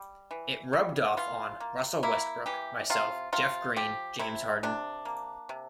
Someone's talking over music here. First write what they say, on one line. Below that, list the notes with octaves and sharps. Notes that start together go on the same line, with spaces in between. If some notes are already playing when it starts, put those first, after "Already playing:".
It rubbed off on Russell Westbrook, myself, Jeff Green, James Harden.
Already playing: G3
E3
G3
E3 F4
A#3
A#3 E4
E3 G4
C3 F4
C3 F4
F3 G4
C3 E4
C3 D4
A#3
C3